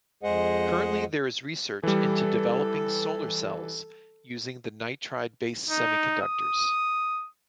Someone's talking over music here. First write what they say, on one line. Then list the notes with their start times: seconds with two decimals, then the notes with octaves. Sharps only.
Currently there is research into developing solar cells using the nitride based semiconductors.
0.23 F2 G#3 G#4 C5 D#5 F#5
1.83 E3 G3 A4
5.70 D#4
6.21 D#6